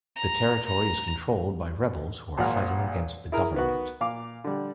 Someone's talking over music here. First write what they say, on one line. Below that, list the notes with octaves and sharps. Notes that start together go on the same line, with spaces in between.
The territory is controlled by rebels who are fighting against the government.
A#5
A#5
G#1 A#2 F3 F4 F#5 F6
E4 G#4 A#4
D#3 B3 F#4
A#2 F5 D6
D3 G3